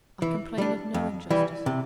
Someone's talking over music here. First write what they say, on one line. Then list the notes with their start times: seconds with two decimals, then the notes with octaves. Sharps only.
I complain of no injustice.
0.22 E3
0.58 G3 D4
0.94 F2
1.30 E3 G3
1.66 C3